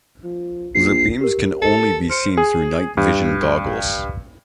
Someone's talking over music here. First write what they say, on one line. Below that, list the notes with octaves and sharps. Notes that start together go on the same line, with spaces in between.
The beams can only be seen through night vision goggles.
F3
A#1 C7
G4 A#4
A4
C5 F6 C#7 D7
G#4
G2